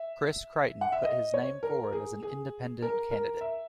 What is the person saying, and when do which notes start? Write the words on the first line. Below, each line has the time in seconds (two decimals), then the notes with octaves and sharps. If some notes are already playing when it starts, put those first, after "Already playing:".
Chris Creighton put his name forward as an independent candidate.
Already playing: E5
0.81 F#5
0.92 E5
1.03 D#5
1.34 C#5
1.63 A#4
1.93 G#4
2.23 G#4
2.82 A#4
3.11 A#4
3.41 E5